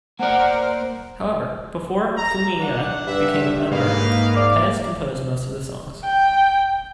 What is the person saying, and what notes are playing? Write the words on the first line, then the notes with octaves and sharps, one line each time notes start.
However, before Fumiya became a member, Pes composed most of the songs.
A#3 A#4 C5 D5 F#5
A#5
D4 F#5
G2 E5
G#2 A#3 D#4 B4 F5
D5 F5 D6
G5